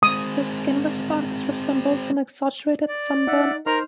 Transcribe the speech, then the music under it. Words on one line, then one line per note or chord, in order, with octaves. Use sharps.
The skin response resembles an exaggerated sunburn.
G#3 C4 D#6
D5
D#4 E5 F#5
D#4 A#4 C5 A#5 C6 F6